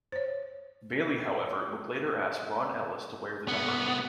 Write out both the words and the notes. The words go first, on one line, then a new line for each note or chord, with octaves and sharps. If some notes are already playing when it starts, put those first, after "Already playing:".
Bailey, however, would later ask Ron Ellis to wear the number.
C5 C#5
C2 B3